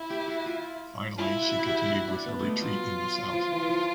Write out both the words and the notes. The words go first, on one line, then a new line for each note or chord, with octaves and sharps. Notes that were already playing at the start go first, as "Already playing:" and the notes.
Finally, she continued with her retreat in the south.
Already playing: E4
G4
F#4
F4
E4 F4
F#4
F#4
G4
F#4
D4
B3
G#3 A3
F#3 F4
F3
E3
E3
F3